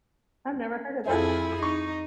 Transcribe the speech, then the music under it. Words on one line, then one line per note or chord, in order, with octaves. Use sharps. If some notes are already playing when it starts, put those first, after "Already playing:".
I've never heard of that.
F2 E4 F4 G#4 A4 C5
D#4 C#6